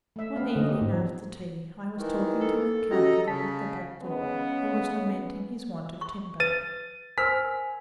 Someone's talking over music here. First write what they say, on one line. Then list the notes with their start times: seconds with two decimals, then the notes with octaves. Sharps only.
One evening after tea I was talking to a carpenter at the back door, who was lamenting his want of timber.
0.16 A3 E5
0.36 B3 C4 F5
0.56 D3 C#4 D#5
0.68 C4 G4
0.82 G#2
0.93 F3
1.97 D#3 E3
2.41 A4
2.91 C#4 F#4 G4 D#5 A#5
3.27 C#3 A5 B6
4.02 C#3 G#3 B3 C#4
6.01 C#6
6.40 B4 A6 D#7
7.18 A#4 C5 G#5 E6 F6 B6